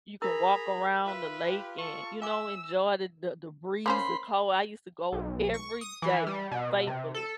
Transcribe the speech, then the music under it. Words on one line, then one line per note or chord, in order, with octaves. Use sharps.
you can walk around the lake and, you know, enjoy the the the breeze, the cold, I used to go every day faithfully,
E4 G#4 A#4 A#5 B5 D#6
F4 B4 E5
G4
A4 C#6
E5 G#5 D6 E6
A#3 C#4 C5 B5 C6
B1
C#6
D#6
E3
G3
B2
B2
C3
A4